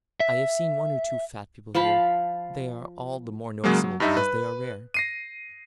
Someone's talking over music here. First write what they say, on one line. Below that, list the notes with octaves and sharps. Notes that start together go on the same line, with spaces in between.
I have seen one or two fat people here--they are all the more noticeable because they are rare.
E5
F3 F5 A5 B5
C#3 F#3 G#3 A#3
F#3
G2 G3 D#4 E5
B4
A#6 C7 D#7